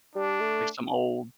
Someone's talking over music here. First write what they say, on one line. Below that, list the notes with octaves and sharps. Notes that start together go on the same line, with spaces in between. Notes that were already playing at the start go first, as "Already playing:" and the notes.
Like, some old
G3 D4
A3